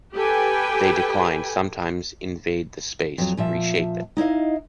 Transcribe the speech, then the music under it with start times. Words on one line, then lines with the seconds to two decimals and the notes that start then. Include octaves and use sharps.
They decline, sometimes invade the space, reshape it.
0.15 G4 A4 B4 G5 G#5
3.18 F2 F#3
3.37 A#2 F3 E5 A5
4.17 D#4 E4 D#5 F5